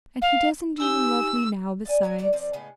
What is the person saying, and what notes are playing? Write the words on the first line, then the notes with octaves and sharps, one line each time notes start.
"And he doesn't even love me now, besides."
F5
D#4 G4 G#5 E6
D5 E5 G#5
C#4 D4 G#5
D3 F#3 D5 A#5
F3 C4 D5
A2 C#3 G#3 B3